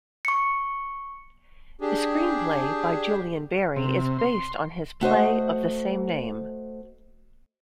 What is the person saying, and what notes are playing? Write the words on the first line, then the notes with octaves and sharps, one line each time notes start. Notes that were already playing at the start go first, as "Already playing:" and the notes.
The screenplay by Julian Barry is based on his play of the same name.
C#6 C#7
D4 G4 G#4
C3
C6
A3 F#4 C5 D#5